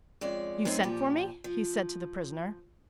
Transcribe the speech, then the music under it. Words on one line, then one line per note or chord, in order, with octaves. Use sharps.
"You sent for me?" he said to the prisoner.
F2 G#3 C#4 D5
F#2 A3 C4 D#4 E5
A#2 F3 G4
F3